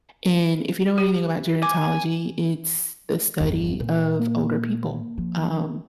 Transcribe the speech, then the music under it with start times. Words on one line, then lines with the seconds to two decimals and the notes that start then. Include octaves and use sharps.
and if you know anything about gerontology, it's the study of older people, um,
0.98 G4
1.63 G#5 D6
3.40 G1 E2
3.80 A#2
4.20 A#3
5.18 F3